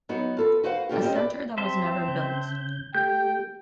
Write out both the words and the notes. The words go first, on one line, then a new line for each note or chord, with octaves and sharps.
A center that was never built.
F#3 B3 D#4 F#4
F4 A4 B4
F#4 B4 C5 F5 F#5
B2 D3 F4 G4
C4 C#4 G4 A#4 D#5
B4 D5
C4 E5 A5 C6
C#3 G6
A3 G4 G5 G6